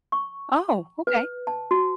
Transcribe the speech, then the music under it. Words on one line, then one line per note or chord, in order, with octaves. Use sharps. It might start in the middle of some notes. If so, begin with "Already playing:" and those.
Oh, okay.
C#6
B4
A5
F#4